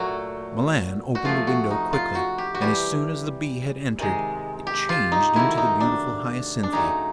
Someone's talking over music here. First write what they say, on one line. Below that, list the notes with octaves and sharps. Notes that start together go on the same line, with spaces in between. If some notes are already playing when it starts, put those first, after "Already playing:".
Milan opened the window quickly, and as soon as the bee had entered, it changed into the beautiful Hyacinthia.
Already playing: A#2 F#3 A3 F#4
F#4
C3 F3 A3 F4
F#4
D#4
F4
F#4
G4
F#4
C3 E3 G3 G4
C3 D#3 G#3
G4
F4
D#4
C3 D#3 F#3 A3 E4
D#4
D4
D4
C#3 F#3 A3 D#4